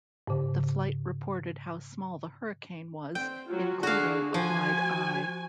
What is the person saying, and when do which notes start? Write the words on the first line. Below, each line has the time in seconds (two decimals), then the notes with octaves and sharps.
The flight reported how small the hurricane was, including a wide eye.
0.27 G#2 C#3
3.15 C4 G5
3.47 F#3 F4 F#4
3.83 D3 D4 F#4 G#4 F5
4.34 F3 F#4 G#5